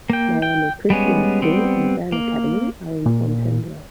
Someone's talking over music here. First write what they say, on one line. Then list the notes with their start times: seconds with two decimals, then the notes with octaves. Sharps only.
Miami Christian School and Vann Academy are in Fontainebleau.
0.10 A#3 G5
0.42 G5
0.90 G3 G#3 B3 C#4
1.42 G3 B3 C4
2.12 A#3
3.06 A#2